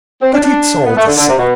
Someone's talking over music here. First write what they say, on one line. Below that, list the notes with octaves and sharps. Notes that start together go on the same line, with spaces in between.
But it's all the same.
C4
D4
D4
B3
A3
D3
D3
C3
B2